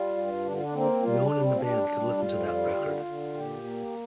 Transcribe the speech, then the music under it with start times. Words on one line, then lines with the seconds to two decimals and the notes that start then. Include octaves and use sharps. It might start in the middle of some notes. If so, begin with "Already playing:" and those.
No one in the band could listen to that record.
Already playing: G3 F4
0.17 G2
0.44 D3 D4
0.53 F4
0.62 D4
0.74 A#3 C4
1.02 G3 F4
1.22 D4
1.32 G3
1.41 C4
1.56 F4
1.60 G3 D4
1.89 G3
2.18 F2 F4
2.47 G3
2.76 D3
3.05 D3
3.34 A#2 G4
3.64 A#3